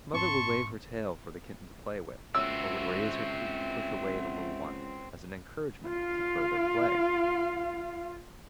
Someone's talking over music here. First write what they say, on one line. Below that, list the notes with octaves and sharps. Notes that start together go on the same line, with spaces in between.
The mother would wave her tail for the kitten to play with, or would raise her feet and push away the little one as an encouragement to further play.
G#2 C4 A5 C6 C#6
C#2 C4 F#4 E5 E6
F4 F5